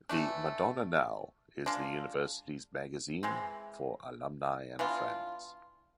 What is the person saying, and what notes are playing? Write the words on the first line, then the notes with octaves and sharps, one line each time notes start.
The "Madonna Now" is the university's magazine for alumni and friends.
E3 A3 D4
G#3 D4 F4
E3 G#3 C4
E3 B3 D4 F4